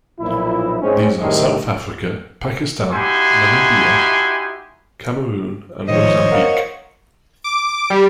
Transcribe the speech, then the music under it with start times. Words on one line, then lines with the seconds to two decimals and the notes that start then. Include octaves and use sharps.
These are South Africa, Pakistan, Namibia, Cameroon and Mozambique.
0.20 B1 A#2 F3 D#4 E4
0.82 G#2 G#3 C4 C#4
1.20 A2 D#3 G3 G#3 A#3 C4
2.91 D#4 E4 F#4 G4 G#5 C6
5.88 A2 D#3 F3 C5 C#5 D#5
6.32 A#4 F5 F#5
7.44 D6
7.90 G3